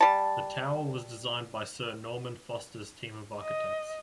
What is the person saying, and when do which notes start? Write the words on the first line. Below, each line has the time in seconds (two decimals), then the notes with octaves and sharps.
The tower was designed by Sir Norman Foster's team of architects.
0.01 G3 A5
3.42 D#5